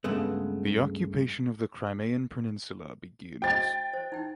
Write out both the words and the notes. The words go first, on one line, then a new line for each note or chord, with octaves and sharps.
The occupation of the Crimean peninsula begins.
C#2 G2 C#3 G#3 A3 B3
F#4 C5 D#5 G5 A6
C5
D#4 G5